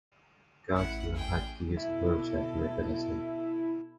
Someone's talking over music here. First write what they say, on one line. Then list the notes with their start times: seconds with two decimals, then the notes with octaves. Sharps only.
Gardiner had to use a wheelchair for mobility.
0.74 A1 E4 F#5
1.14 G#4 G5
1.77 B2 E4 A4